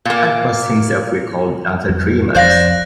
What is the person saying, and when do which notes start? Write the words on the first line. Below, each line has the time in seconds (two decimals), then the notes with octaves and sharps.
Hunt was himself recalled after three months.
0.05 A#2 A#3
1.89 F2 F#3 G3
2.35 F1 F2 F3 C5 D5 F5 F#6 A#6